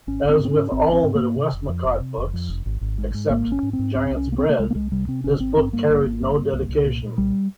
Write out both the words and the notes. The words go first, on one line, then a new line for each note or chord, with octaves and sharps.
As with all the Westmacott books, except "Giant's Bread", this book carried no dedication.
G#1 C#4
G#1
C4
G#2
C4
G#2 C#4
G#1 C4
G#1 C4
G#2
A#3
G#2
C3
F1
F2
F1
C3
F1
F2
F1
G#1
G#1
G#2
G#2
G#1 A#3
G#1 C#4
G#2
C4
G#2
C2 C4
C2
C#4
C3
A#3
C3 C4
A#3
C2 G#3
A#3
C2 G#3
C3 G3
C3 C4
G#1 C#4
G#1 C4
G2 C4
G2 A#3
G#1
G#1
G2
G2
C2
C2
A#2
A#2
C2 G3